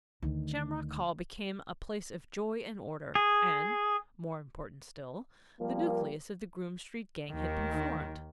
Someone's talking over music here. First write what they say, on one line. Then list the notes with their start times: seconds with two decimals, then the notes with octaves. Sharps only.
Shamrock Hall became a place of joy and order; and--more important still--the nucleus of the Groome Street Gang had been formed.
0.22 D2 D#3
3.15 G#4
5.59 F3 G3 A#3
7.31 D#2 D#3